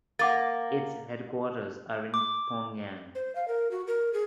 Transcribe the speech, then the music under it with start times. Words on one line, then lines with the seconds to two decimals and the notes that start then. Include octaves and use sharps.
Its headquarters are in Pyongyang.
0.19 A#3 F#5 D6 A6
2.14 D6
3.15 C5
3.35 F5
3.48 A#4
3.71 F#4
3.87 A#4
4.13 G#4